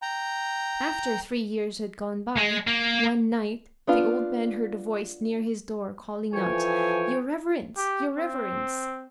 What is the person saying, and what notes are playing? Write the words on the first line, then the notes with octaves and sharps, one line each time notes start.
After three years had gone by, one night the old man heard a voice near his door calling out, "Your reverence! your reverence!"
G5 A#5
G#3
A#3
B3 D4 F4
E3 F3 A4 C#5 G5 G#5
G4
C4